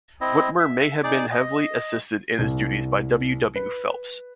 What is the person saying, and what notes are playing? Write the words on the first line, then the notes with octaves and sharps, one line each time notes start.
Whitmer may have been heavily assisted in his duties by W. W. Phelps.
C4 E4 D#5
E5
D#4 G#4 D5 D6
D#5
C2
B4